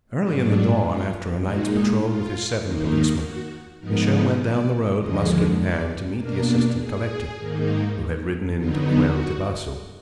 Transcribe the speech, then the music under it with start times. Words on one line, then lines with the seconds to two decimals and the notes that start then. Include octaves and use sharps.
Early in the dawn, after a night's patrol with his seven policemen, Michele went down the road, musket in hand, to meet the Assistant Collector, who had ridden in to quell Tibasu.
0.22 G#2 F#3 D4 F4
0.52 F#4
0.81 F4
1.41 A#2 G#3 D#4 F#4
2.01 F4
2.61 D#2 D#3 A#3 D#4
3.21 F#4
3.80 G#2 F3 B3 D#4 A#4
4.39 D5
4.99 D#2 D3 F3 G#3 D#5
5.58 D5
6.18 B2 A#3 D4 A#4
6.77 G#4
7.38 G#2 D#3 A#3 D#4
8.56 D3 F#3 B3 D#4 F4
8.87 F#4